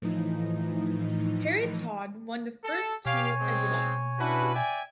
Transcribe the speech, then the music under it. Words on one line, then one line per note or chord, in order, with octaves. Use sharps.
Harry Todd won the first two editions.
A2 E3 F3 D#4
A4
B2 G4 C#5 F5 G#5
G#3 C4
C#4 D4 E4 F#4 B4
D5 E5 G5 G#5